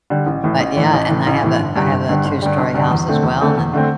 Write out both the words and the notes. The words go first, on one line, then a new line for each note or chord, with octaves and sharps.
but, yeah, and I have a I have a two-story house as well, and
D3 G3
A1
A2 E3
A1
A2 E3
A1
A2 E3
A1
A2 E3
G1
G2 D3 G3
G1
G2 D3 G3
G1
G2 D3 G3
G1
G2 D3 G3
E2
D3 A3 C4
E2
D3 A3 C4
E2
D3 A3 C4